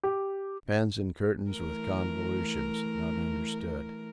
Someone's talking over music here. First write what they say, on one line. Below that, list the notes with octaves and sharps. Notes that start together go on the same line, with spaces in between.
Bands and Curtains with convolutions--not understood.
G4
E3 A3 A#4